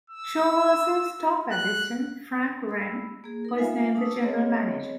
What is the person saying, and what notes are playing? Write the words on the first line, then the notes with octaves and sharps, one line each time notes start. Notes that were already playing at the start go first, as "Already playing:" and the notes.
Schuerholz's top assistant Frank Wren was named the general manager.
E6
F#6
B5 E6
A#3 G#4
D#4 A#4
G#3 F4 E5 F5 G#5
D4 A5 D#6 E6
B3 C4 G#4 C#5 D#5